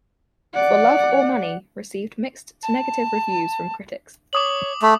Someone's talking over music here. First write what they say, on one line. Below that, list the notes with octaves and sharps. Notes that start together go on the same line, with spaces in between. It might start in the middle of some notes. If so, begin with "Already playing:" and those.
"For Love or Money" received mixed to negative reviews from critics.
D5 F#5
A5
C#5 D6 D#6 F#7
A3 B5